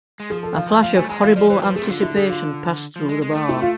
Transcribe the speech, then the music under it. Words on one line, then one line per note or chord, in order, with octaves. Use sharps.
A flash of horrible anticipation passed through the bar.
G#3
F3 G#4
A4
F5
G#5
F3 F5
A3 G#5
G#3 G#5
E3 F5
F3 D5
E3 C5
F3 B4
A3 G#4
C3
D3 F4
E4
G#4
F4
F3
G#3
G#3
A3
E4
F4